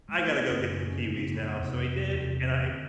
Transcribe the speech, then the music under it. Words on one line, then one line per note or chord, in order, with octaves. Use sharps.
"I gotta go get some kiwis now." So, I did, and I
G#3
A3
A#3
B3
F#2 C#3 C4
C#4
C#4
F#2 C#3 C4
C4
A#3
B3
F2 C3
E2 C3
D3 C4